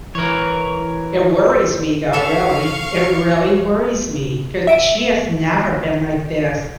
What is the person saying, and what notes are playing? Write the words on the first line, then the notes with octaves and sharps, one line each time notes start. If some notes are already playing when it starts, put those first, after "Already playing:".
It worries me though, really, it really worries me, 'cause she has never been like this.
E3 A#4 B4 C#5
A4 E5 F5 C#6
E5 D7 D#7